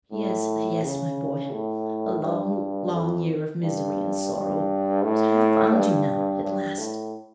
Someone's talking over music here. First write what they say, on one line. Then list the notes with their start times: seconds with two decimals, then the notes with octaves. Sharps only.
"Yes, yes, my boy; a long, long year of misery and sorrow; but I have found you now, at last."
0.12 A2
0.83 C#3
1.52 A2
2.23 G2
2.92 F2
3.62 G2
4.32 G2
5.03 A2
5.73 G2
6.43 G2
6.78 A2